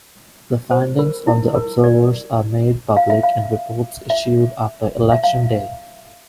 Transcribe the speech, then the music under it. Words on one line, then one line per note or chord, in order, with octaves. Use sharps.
The findings of the observers are made public in reports issued after election day.
C5
A#4
E4
A#4
D5
F5
E5
F5
E5
E5
F5